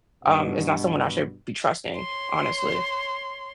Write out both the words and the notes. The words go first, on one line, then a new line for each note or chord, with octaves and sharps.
um, is not someone I should be trusting, honestly.
G2 B2
C#5 C6